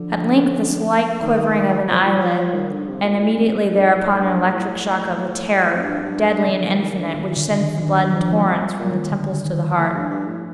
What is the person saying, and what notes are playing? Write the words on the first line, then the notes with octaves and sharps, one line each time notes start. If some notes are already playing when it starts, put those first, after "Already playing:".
At length the slight quivering of an eyelid, and immediately thereupon, an electric shock of a terror, deadly and indefinite, which sends the blood in torrents from the temples to the heart.
Already playing: D3 F3
D#3 A3
F3
F3
F3
D#3 G3
D3
C3
A#2
A2
F2
F2
G2
A2 F3
A2
G2
A#2
A2
A#3
F2
G2
F2
G2
F2
G2
C3
D3 F3
D#3
D#3
D3
A#2 D#3
A#2
D3
G2
D#3
G2 D#3
G2 F3
F2 G3
G3
A#2
D#3
D3
D#3
A2 F3
G2
G2
A2